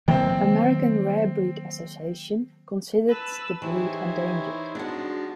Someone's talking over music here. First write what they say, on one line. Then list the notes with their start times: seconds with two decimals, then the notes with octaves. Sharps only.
American Rare Breed Association considers the breed endangered.
0.08 D#3 F#3 A#3 C4 G5
3.09 B4 A5 E6
3.62 E3 D#4 E4 G4 C5 C#5
4.75 F3 G#3 D4 F#4 F#5